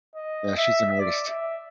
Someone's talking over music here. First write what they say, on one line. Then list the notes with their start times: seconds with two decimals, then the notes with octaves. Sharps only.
Yeah, she's an artist.
0.15 D#5
0.57 E5
0.99 D5
1.28 E5